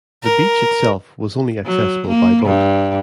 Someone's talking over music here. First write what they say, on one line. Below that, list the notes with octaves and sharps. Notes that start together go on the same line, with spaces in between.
The beach itself was only accessible by boat.
A#4
F#3
A#3
G2